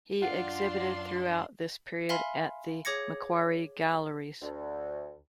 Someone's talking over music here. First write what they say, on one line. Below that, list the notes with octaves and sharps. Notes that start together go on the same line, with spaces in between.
He exhibited throughout this period at the Macquarie Galleries.
F#2 D4 F4 F#5 C6
E5 F5 G#5 B5 C6 F6
G#4 C#5 D6 G#6 A#6 C#7
D2